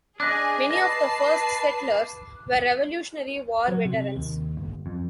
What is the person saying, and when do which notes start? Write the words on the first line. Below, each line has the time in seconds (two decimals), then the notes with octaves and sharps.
Many of the first settlers were Revolutionary War veterans.
0.20 D4 G#4 D#5 G#5 D6 F#6
0.71 B4 D#5 A5 C7
3.68 F#3
3.85 C3
4.16 D#2
4.57 G1
4.86 F2